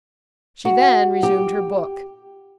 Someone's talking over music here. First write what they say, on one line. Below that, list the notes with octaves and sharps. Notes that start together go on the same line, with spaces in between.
She then resumed her book.
F#4
G4